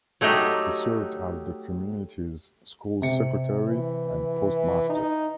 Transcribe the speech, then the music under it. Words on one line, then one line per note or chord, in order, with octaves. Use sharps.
He served as the community's school secretary and postmaster.
F#3 A3 D#4 G4
C3 C#7
E3
D#4